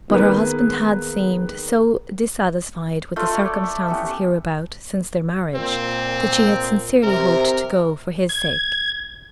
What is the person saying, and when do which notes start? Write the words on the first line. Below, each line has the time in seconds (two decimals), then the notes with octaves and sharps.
But her husband had seemed so dissatisfied with the circumstances hereabout since their marriage that she had sincerely hoped to go for his sake.
0.10 D#3 A#3 B3 G#4 B4
3.16 A3 F4 A4 C6
3.33 C#5 F#5
3.45 D5
3.64 E5
3.88 B3 C#4 E4 G4
5.55 A#2 C4
7.03 C3 A#4
8.29 G#6